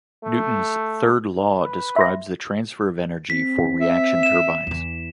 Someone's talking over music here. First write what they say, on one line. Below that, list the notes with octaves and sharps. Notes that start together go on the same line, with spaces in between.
Newton's third law describes the transfer of energy for reaction turbines.
A3
B4
E5 C6 A#6
C4 B6
E5
E7
E2 E3